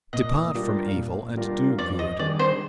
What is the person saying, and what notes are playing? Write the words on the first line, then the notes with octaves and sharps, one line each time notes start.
Depart from evil, and do good.
A#2 D#5
G3 D4 F4 A#4
A#2
G3 D4 F4 A#4
F2 D5
D#5
D#3 G3 D4 G#4 D5
C5